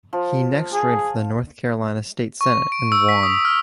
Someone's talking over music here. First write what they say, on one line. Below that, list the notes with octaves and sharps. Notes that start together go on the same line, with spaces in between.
He next ran for the North Carolina State Senate and won.
F3
G#4
C#6
D7
E6
B6
D#6
F6